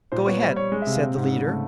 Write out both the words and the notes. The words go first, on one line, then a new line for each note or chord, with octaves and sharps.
"Go ahead," said the leader.
A#2 C5
B3 C#5
G3 C5
G3 C#5
G#3
E5
C3
F5
C4
G#2
C#3
A3